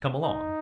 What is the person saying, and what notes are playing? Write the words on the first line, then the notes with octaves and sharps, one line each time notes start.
"Come along."
D#4